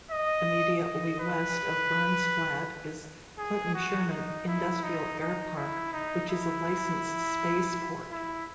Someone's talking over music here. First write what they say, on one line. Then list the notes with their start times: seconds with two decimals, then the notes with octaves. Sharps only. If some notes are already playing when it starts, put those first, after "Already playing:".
Immediately west of Burns Flat is Clinton-Sherman Industrial Airpark which is a licensed spaceport.
0.11 D#5
0.83 D#5
1.20 B4
3.38 G#4
3.75 F#4
4.11 D#4
4.47 E4
4.83 D#4
5.20 D#4
5.56 E4
5.92 D#4
6.29 E4
8.11 E4